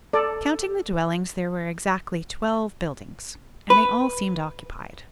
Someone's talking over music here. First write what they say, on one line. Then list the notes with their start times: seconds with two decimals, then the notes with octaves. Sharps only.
Counting the dwellings there were exactly twelve buildings, and they all seemed occupied.
0.13 A4 D5
3.70 B4